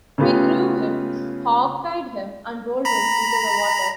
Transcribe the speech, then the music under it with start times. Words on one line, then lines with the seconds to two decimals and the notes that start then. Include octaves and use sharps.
We threw him, hogtied him and rolled him into the water.
0.18 C#3 A3 B3 F4 G4 B4
2.85 A#5 B5